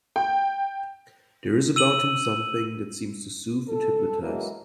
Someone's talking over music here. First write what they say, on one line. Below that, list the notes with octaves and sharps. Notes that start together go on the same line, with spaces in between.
There is about him something that seems to soothe and hypnotize.
G5
E6 D#7 F#7
A4
E2 E3 F#3 G#3 A#3